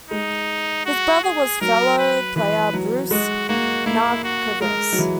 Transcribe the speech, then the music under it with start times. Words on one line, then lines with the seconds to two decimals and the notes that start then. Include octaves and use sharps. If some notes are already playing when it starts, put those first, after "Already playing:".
His brother was fellow player Bruce Nankervis.
0.10 G#3 D#4
0.86 F#4
1.24 G#4
1.61 F#3 A#4
1.99 B4
2.36 E3 B4
2.73 F#3
3.11 G#3 F#4
3.49 A#3 F#4
3.86 A#3 E4
4.24 F#4
4.61 G#3 A#4
4.93 F#3
4.99 E3